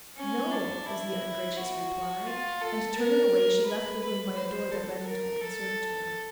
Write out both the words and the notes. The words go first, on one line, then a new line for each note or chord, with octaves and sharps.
"No," was the ungracious reply; and turning away, she left the room by a door that led into a conservatory.
C#4
D4
E4
F#4
F4
A4
A#4
B4
B4
C5
A4
A#4
A4